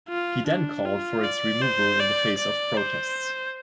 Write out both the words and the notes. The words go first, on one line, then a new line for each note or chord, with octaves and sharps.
He then called for its removal in the face of protests.
F4
D4
F4
D5
C5
D5
D5
C5